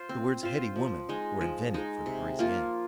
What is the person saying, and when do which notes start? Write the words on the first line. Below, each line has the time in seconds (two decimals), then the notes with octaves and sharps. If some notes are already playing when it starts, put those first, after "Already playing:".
The words heady woman were invented for the Parisienne.
Already playing: F4 C5
0.09 C4
0.43 F4 C5
0.76 F3
1.09 G#3 D#4
1.41 F3
1.74 G#3 D#4
2.06 C3
2.39 F3 A#3 F4